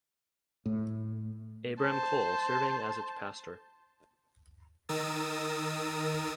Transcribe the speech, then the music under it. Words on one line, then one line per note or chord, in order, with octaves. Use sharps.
Abram Cole serving as its pastor.
A2
C5 A5
D#3 A#4 D#6 E6 A6